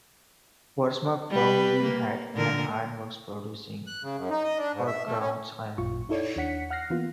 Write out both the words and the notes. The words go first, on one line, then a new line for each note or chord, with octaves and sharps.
Forsmark formerly had an ironworks producing oregrounds iron.
G3 B4
A#3
A#2 D3 A#4
F#6
C#3
F#2
D#4
D#5
D4
G#2
E5
A3
C#4
A1 F#2 A#2 F4 C#6
D#4 E4 A4 C#5 D5
D#2 D4 C#5 F#5 B6 C#7
F#5 F6 F#6 A#6 C7
E3 A#3 B3 F4